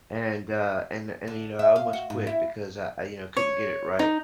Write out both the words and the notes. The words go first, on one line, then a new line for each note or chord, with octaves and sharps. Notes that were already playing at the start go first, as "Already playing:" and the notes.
and, uh, and and, you know, I almost quit because I I, you know, couldn't get it right,
D3
E5
F5
F#4
G#2
E4
C#5
D#4